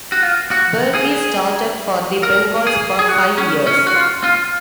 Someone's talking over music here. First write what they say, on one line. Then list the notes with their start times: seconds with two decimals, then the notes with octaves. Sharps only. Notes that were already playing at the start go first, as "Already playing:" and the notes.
Bergey started for the Bengals for five years.
0.12 F#4
0.22 F4
0.51 F#4
0.95 G#4
2.23 A#4
2.67 G#4
2.99 G#4
3.09 F#4
3.38 C#4
3.67 C#4
3.87 F#4
3.95 F4
4.24 F4